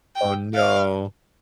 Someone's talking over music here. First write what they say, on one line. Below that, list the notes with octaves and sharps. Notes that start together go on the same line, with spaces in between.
Oh, no.
G5
F5